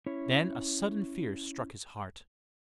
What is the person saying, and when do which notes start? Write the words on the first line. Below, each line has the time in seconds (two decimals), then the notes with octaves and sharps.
Then a sudden fear struck his heart.
0.06 C#4 E4 C#5